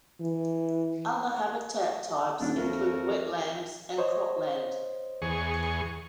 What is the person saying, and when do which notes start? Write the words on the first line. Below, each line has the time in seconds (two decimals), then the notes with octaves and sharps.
Other habitat types include wetlands and cropland.
0.21 E3
2.40 D#1 F#3 G3 D4
2.56 F2 A3 F#4 A#4
3.98 C5 C#5 D#5
5.22 E2 G#4 C#6